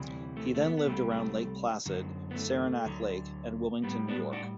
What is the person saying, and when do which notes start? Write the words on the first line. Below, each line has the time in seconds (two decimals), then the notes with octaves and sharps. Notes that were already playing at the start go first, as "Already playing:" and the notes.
He then lived around Lake Placid, Saranac Lake, and Wilmington, New York.
Already playing: D2 C3 E3 G3
0.37 A3
0.55 A3
0.62 B3
0.77 B3
0.86 C2 C3 G3 A3
1.11 A3
1.86 F#2 D3 F#3
2.31 B3
2.35 A3
2.85 D2 D3 F#3
3.83 A2 G3 B3
4.08 B3 D4
4.33 D4 F#4